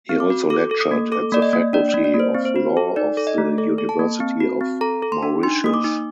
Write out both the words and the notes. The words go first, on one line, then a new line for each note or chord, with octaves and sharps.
He also lectured at the Faculty of Law of the University of Mauritius.
C4
D6
F#4
A4 D6
A4
D#6
A#3
A4 D6
A#3 D5
D#5
A#3
D4 D5
D5
A#3
D5
A#3
C5
C4
C5
F#4
A4
D#4 D5
A4
D#5
A3
A4
A4
A5
A#3
C4
F#4
C4
A4 A#5
A4
C6
D4
D#4 C6
A#3 D#6
D6
D#4